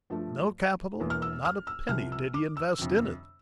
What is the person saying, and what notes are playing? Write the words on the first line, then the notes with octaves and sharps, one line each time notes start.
No capital, not a penny did he invest in it.
G2 F3 A3
E1 E2 E3 A#3
F6
E6
F6
E6
C2 C3 F3 F6
E6
D6
E6
G1 F2 C3